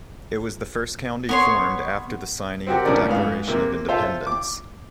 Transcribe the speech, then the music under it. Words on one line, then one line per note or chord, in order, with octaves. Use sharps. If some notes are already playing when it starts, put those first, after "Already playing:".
It was the first County formed after the signing of the Declaration of Independence.
B3 C#5 C6
C4 F#4 G4 A#4
D#2 A2 C#4 A#4 D5
G#2 B3 F5
C3 A#3
F4 A4 C5 E5 F5
D6